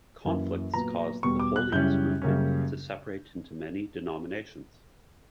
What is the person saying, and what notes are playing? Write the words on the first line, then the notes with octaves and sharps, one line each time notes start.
Conflicts caused the holiness movement to separate into many denominations.
F#2 E3 A#3 C#4
A#2 F#3 B3 A#5
E2 B2 G3 C#6
D6
F#6
F#2 C#3 G3 C#4 E4 G6
F#2 C#3 G3 A#3 C#4